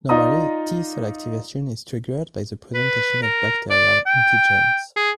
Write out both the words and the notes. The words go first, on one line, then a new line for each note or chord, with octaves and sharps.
Normally, T cell activation is triggered by the presentation of bacterial antigens.
D#4 F4 D5 A#5 D#6
B4
A#4
D5
G5
G#4